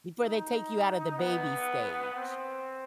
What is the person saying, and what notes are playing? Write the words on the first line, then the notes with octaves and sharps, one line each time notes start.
Before they take you out of the baby stage
D#4
B3
C4